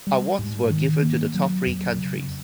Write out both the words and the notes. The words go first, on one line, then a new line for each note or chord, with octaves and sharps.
Awards were given to the top three countries.
G3
G#2
D#3
A#3
F#3
F2
C#3